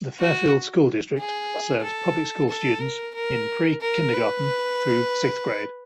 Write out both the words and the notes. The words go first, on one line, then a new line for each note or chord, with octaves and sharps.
The Fairfield School District serves public school students in pre-kindergarten through sixth grade.
F#4
G#4
A4
A4
A#4
A#4
A#4
B4